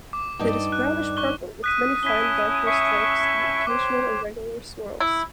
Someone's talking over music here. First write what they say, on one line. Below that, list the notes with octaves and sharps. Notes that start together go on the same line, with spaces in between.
It is brownish-purple with many fine darker stripes and occasional irregular swirls.
D6
G2 D#4 D5
F#6
C#6 F#6 G7
D#6 F#6 B6 D#7
C#4 E4 A5 B6 G7
E5 C#6
C5 C#5 G5 D6
E4